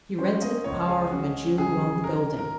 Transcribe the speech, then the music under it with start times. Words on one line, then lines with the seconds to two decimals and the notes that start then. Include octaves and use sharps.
He rented power from a Jew who owned the building.
0.19 C#4 C5
0.42 D#5
0.64 C#2 C#5
0.88 G#4
1.11 C#4 F#4
1.58 C#3 G#4
2.04 D#3 A#4
2.39 A#4